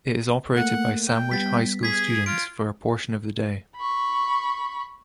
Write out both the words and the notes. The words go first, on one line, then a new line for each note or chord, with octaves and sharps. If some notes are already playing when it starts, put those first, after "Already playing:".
It is operated by Sandwich High School students for a portion of the day.
A3 A#3 F#5
G5
G3 B3 A6 B6
G#4 G#6 B6
F4 D7
B5 C#6